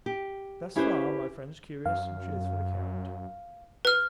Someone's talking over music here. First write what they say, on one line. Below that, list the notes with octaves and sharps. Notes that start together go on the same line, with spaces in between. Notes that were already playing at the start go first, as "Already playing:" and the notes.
Thus far my friend's curious and truthful account.
G4
C#4 E4 G4 G#4 B4 C5
F#2 F5
B4 F6